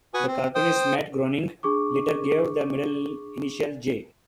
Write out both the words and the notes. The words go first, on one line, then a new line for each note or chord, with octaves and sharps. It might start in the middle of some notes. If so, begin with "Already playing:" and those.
The cartoonist Matt Groening later gave the middle initial J.
F#4 B4 G#5 C#6 D#6
C4
C5 G5 D#6
D4 G#4 C#6 D6